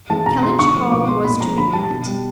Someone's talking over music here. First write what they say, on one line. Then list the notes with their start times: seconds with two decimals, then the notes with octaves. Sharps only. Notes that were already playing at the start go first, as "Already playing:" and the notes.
Kellynch Hall was to be let.
0.10 E3 G#3 A5
0.26 B2 A#5
0.43 G#3 C6
0.59 D3 C#6
0.75 F3 A3
0.92 B2 D6
1.08 G#3 C6
1.25 A#2 B5
1.41 F3 G#3 A#5
1.57 D3 B5
1.73 G3 A5
1.90 B2
2.07 G3